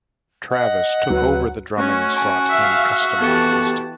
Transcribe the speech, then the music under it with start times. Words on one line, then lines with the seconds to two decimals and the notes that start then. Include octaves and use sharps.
Travis took over the drumming slot in Kustomized.
0.50 D#5 F#5
1.10 D2 F#3 B4
1.78 A3 C#4 F#4
2.17 G#5 A5
2.52 E5 F5
3.20 E3 B3 G4 A4 A5 C#7